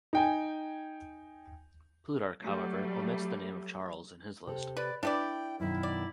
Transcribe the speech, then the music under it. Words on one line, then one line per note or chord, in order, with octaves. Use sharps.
Plutarch, however, omits the name of Chares in his list.
D#4 G5 G#5
F#3 G3 A3
C3 G4 A4
B4 D5
D4 E4 B4 D5 G5
F#2 B2 D#3 E4
D5